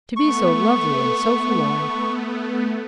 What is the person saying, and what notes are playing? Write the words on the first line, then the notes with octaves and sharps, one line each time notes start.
To be so lovely and so forlorn!
A3 B3 C#6